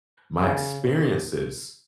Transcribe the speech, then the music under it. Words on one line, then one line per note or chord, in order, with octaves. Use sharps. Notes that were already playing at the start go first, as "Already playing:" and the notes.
my experiences
C#3